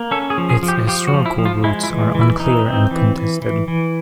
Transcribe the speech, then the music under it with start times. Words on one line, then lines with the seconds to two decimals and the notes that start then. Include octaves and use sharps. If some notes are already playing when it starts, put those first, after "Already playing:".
Its historical roots are unclear and contested.
Already playing: A#3
0.11 C#4 A4
0.30 G#4
0.38 F3
0.50 G#4
0.63 F3
0.68 G4
0.87 F3 G4
1.07 F#4
1.13 F3
1.26 E4
1.38 F3
1.46 F4
1.64 G#3 E4
1.83 E4
1.90 E3
2.15 E3
2.21 E4
2.40 E3 D#4
2.66 C4
2.91 E3
3.17 E3
3.42 E3
3.68 E3